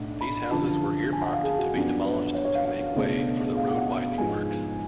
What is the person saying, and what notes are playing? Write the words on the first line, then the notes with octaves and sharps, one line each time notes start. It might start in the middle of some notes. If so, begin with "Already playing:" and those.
These houses were earmarked to be demolished to make way for the road-widening works.
Already playing: B1 A2 D4
B5
F#2 D3 F3 A5
G#5
F#5
F5
G#4
F#4
F#2 F3 B3 D4 F#4
B4
C#5
C#5
F5
F5
C#2 B2 A3 D4
F5
F#5
F#5
F5
G#2 F3 G#3 B3 G#5